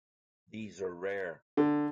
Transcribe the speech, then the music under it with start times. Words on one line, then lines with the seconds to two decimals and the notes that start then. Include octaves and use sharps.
These are rare.
1.57 D3